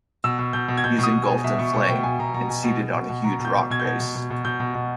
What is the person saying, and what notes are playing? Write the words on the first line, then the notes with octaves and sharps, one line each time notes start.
He is engulfed in flame, and seated on a huge rock base.
B2 E6
B2
B2 G6
B2
G#6
B2 G6
B2 D#6
B2
G#5
B2
B2 E5
B2 C#6
B2 C#6
B2 G5
B2 G#5
B2 A#5
B2 A#5
B2 G#5
B2
B2
B2
B2
B2 A#5
B2
G6
B2
B2 G#6
G6
B2 G#6
B2
B2
B2
B2 G6
B2
B2